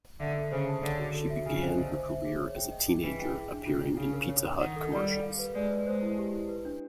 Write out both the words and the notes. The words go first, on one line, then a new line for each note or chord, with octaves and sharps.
She began her career as a teenager appearing in Pizza Hut commercials.
D3 E5
A4
C#3 C5
A5
D3 C#5
F#4
A4
E5
C#3 G#5
C5
D3 D#5
C5
E5
G#4
C#5
G5
D#5
G#4
E3 B4
G5
G#4
D4
C3 F4
D4
C#3 F5
A#4
C#5
A#4
D#3 F#5
A4
G3 D5
A4
F5
B4
G#3 D5
B4
G#3 C5
E4
G4
E4
B4
D4